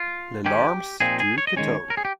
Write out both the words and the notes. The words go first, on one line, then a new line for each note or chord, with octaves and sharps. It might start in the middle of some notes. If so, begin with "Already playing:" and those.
"Les Larmes Du Couteau".
Already playing: F4
D#3 G#3 C#4 G4
A#2 F3 C4 D#4 G#4
G#4
C#5
D#5
D#3 G#3 C#4 C#5
A#4
G#4
G4